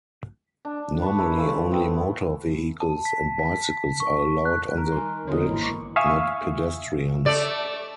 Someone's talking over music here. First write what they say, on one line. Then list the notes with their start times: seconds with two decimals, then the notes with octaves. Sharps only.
Normally, only motor vehicles and bicycles are allowed on the bridge-not pedestrians.
0.65 D4
1.02 B4 A5 C#6
1.19 E4 A#4
1.37 E3 F3 A3
1.71 B3 C4 E4
2.81 A5
3.05 B6
3.39 B6
4.00 C#6
4.45 F#6
4.77 A#4
4.92 D#3 G3 G#5 C6
5.27 D3 A#3 B3 F#4 C5 C#5 D#5
5.47 G#1 E3 G#3 E4 A#4
5.61 B5 C#6 D6
5.96 E5 F5 G#5 C#6 D#6 E6
7.26 A3 D5